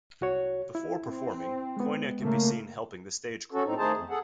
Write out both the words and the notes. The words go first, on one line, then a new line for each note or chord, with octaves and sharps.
Before performing, Coyne can be seen helping the stage crew.
C2 F#4 C#5
E4
C4
G#3 B3
C#3 A3 A#3
C#4 F#4 A4
A2 C4 D#4
D#3 A3 D#4 G#4 C5 A5
F2
G#4 A4 F#5